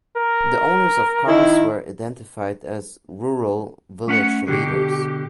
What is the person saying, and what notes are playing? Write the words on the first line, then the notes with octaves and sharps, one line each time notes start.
The owners of cars were identified as rural village leaders.
A#4
D#3 E4
A3 C#4 F#5
B2 D3 G4